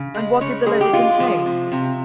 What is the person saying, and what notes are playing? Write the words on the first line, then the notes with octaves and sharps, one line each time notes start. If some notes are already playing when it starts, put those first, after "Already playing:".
"And what did the letter contain?"
Already playing: C#3
G#3
C#3 C#5
G#3 G#4
G4
G#3 F4
F3
C3
C3